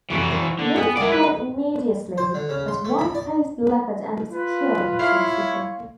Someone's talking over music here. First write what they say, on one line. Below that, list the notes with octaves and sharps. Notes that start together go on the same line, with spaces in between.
Most fled immediately but one faced the leopard and was killed subsequently.
F2 C3 E3 F#4
C5
D3
B3 G5 G#5
G#3 E4 A#4 D5 F#5
B4
C5
D3
C#3
C6
A3
B5
D5
F4 B4
E4 C#5 F5 C6